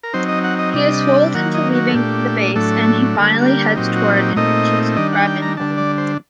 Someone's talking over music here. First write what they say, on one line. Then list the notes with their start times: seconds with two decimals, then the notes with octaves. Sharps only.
He is fooled into leaving the base, and finally heads toward and reaches Ravenholm.
0.03 A#4
0.13 F#3 C4 D#4 C5
0.28 D#5
0.44 F#5
0.59 D#5
0.74 C3 G3 D4 D#5
1.34 D#3 F#3 A#3 F#5
1.54 D#5
1.75 F#4
1.88 A4
1.94 A#2 A3 D4 G4
2.55 A2 F#3 A3 D4 A4
3.15 D3 G3 A#3 A4
3.40 F#4
3.46 G4
3.76 A#2 F#3 C4 D#4 G4
3.96 F#4
4.16 G4
4.36 A#2 A3 C4 D#4 D#5
4.97 D#3 G3 D4 D#5
5.12 F#5
5.27 G5
5.42 A#5
5.57 D3 G3 D4 A5
5.77 D5
5.98 C5